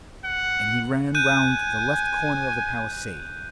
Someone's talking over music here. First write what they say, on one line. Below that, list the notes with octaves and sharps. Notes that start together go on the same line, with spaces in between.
And he ran round the left corner of the palisade.
F#5
G#5 F#6 G6 D#7